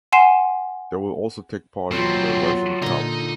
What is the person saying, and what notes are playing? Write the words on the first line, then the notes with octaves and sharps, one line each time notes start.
They will also take part in the Russian Cup.
F#5 G#5 C6 C7 E7
B2 F#3 C4 F4
A#2 D3 D#4 A#5